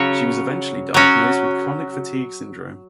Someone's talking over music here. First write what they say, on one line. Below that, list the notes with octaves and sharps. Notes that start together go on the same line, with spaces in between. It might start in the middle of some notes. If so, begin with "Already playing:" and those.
She was eventually diagnosed with chronic fatigue syndrome.
Already playing: C#3 F#3 C#4 F#4 C#5
F#3 C#4 F#4